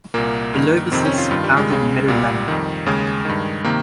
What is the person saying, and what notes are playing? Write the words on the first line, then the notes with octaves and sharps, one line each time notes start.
Bellovesus founded Mediolanum.
C2 A#2 A#3
G2 D#3
F2 C3 D#3 C4
C#4
F4
G2 D#3 F4
G3
G#3
C#2 C#3
C2 A#2 G3
F2 D#3
D#2 C#3 G#3
G2 D#3
C3 D#3 A#3